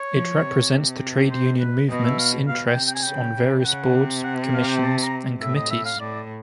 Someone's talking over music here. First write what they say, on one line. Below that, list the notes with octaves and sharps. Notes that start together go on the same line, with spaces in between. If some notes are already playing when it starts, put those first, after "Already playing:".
It represents the trade union movement's interests on various boards, commissions and committees.
Already playing: C#5
F3
C3
C5
B4
B2 D#5
E5
F5
B2 F5
G5
C3
G5
G#5
C#3 G5
C#3
G5
C#3 F#5
C3
F#5
F5
G5
A5
A#5
A2 E5
D#5
E5
F5
A2 D5